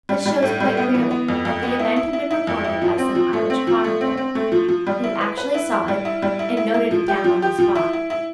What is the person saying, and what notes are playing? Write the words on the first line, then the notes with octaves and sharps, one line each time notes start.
This shows quite clearly that the event had been recorded by some Irish chronicler, who actually saw it and noted it down on the spot.
G3
G3
A2
G3
B3
E3
B3
F2
F2
B3
E4
E4
E4
E4
F2
E4
F3
C4
F3
A3
C4
F3
A3
C4
C4
A3
F3
F3
G3
E4
B4
B4
E4
E4
G3
E4
G3
E4
E4
E4
F3
G4
F3
G4
F3
E4
E4
E4